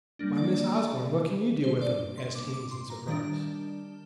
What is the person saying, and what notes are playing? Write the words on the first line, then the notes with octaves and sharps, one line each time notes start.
"Why, Miss Osborne, what can you do with them?" asked Haines, in surprise.
G3 A#3 D4
D5
D5
D5
C5
D5
C6
D6
D6
C6
A#5
D#3 G3 D4 A#5